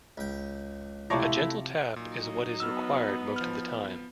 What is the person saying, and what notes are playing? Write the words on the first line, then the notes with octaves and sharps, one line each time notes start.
A gentle tap is what is required most of the time.
C#2 G5
C3 F3 A3 E4 C#5 D5 A#5
A#2 F#3 D#4
B3 E6 F6
F3 F6